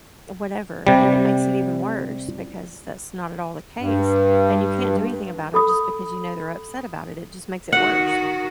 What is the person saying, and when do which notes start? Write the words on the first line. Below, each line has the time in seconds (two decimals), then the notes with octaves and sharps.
eh, whatever, and it makes it even worse because that's not at all the case, and you can't do anything about it just because you know they're upset about it, it just makes it worse.
0.87 C3 G3
3.79 G2
5.54 A4 B5 D#6
7.73 D#3 F#4 F#5